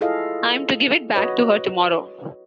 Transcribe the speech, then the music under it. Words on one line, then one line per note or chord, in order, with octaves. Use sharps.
I’m to give it back to her tomorrow.
E4 F4 G#4 A4 D#5 F5
F#4 B4 C#5 D#5